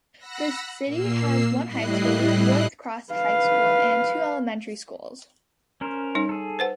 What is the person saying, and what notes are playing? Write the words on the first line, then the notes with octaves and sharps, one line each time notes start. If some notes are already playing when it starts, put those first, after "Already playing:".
The city has one high school, Woods Cross High School, and two elementary schools.
F#5 B5 E6 F#6 A#6
A#2 A#3 E6 C7
A2 G3 E4 D#5 F#6 C7
B4 F5
C#4 A#4 C5
G3 D#4 C#5
G#4 A4
B4 C5 F#5